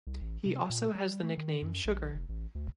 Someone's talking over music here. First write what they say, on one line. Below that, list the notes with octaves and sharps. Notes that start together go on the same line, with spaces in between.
He also has the nickname "Sugar".
C2
A1
C3
A#2
G3
A3
D#3
F#2
A#1
F1
A1
D2